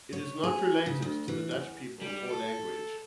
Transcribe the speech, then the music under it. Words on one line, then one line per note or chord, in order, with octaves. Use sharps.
It is not related to the Dutch people or language.
C#5
G#4
C#3
D2
E3
E2
G3
A4